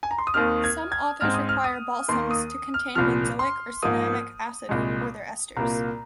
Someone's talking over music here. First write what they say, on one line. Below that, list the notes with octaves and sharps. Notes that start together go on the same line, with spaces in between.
Some authors require balsams to contain benzoic or cinnamic acid or their esters.
G#5
A#5
C6
D#6
D#2 D#3 C4 F6
G#6
G#6
G#2 G#3 C4 F6
D#6
F6
D#6
D#2 D#3 A#3 C6
D#6
F6
C2 A#2 F3 F6
C6
G#2 F3 A#3 D#6
C2 A#2 G#3
C2 A#2 A#3 A#5